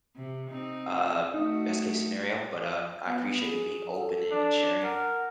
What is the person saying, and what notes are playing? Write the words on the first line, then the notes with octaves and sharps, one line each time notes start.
um, best case scenario. But, um, I appreciate you being open and and sharing,
C3
C4 D#4
A3 D#4 F#4
B3
G#4
A4
D4
A#4 F#5